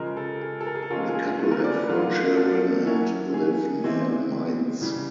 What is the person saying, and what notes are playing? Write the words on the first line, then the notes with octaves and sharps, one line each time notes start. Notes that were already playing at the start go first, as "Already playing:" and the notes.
The couple have four children and live near Mainz.
Already playing: C#3 F3 G#3 A#4
A4
G#4
A4
A#4
G#4
A4
F3 G#3 C#4 F4 A#4
G#4
G#4
G#4
A4
A#4
D5
B4
D#3 F#3 A3 D4 F4 A#4
A4
F#3 A#3 C#4 E4
G#4
E3 G#3 C4 E4
C#3 E3 G3